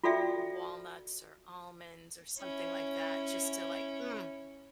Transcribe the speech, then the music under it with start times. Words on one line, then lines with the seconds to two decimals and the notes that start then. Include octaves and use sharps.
walnuts or almonds or something like that just to like, mm.
0.04 F4 F#4 A4 D5 E5 G5
2.38 C#4 E4